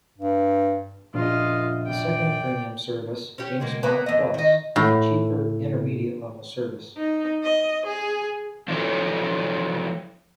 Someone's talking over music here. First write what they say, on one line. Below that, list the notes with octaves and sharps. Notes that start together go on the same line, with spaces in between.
The second premium service, GameSpot Plus, is a cheaper, intermediate-level service.
G2
A#1 F#2 F4 D#5
D5 G5
C#4 G4
B2 G#3 A#3
A#3 B3
F2 D#5
D#3 D#5
A2
D#4
D#5
G#4
F3 F#3 E4 A4 C#5